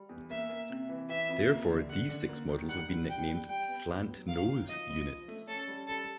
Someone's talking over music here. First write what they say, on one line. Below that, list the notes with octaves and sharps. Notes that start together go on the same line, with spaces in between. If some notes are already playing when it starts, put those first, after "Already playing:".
Therefore, these six models have been nicknamed "slant nose" units.
Already playing: G3
E2
A#3 E5
A#3
C3
E3
E3 E5
F2
A#3
D3
D3 F#5
D3
A#3
D#3
G3 F#5
G3
G3 G5
G3
G3 G5
B3
B3
F#3
D#3 F5
F#3
F3 D#5
G2
F3
A3
C#4 A4
G3
G3 A4